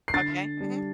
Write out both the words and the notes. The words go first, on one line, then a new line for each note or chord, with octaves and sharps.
Okay, mhm.
C7
D3 A6
G3 D4